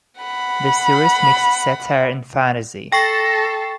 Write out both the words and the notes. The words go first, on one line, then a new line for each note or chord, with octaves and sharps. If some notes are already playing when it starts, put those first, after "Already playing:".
The series mixes satire and fantasy.
F#5 B5
A4 G5 A5 C#6 A#6 C7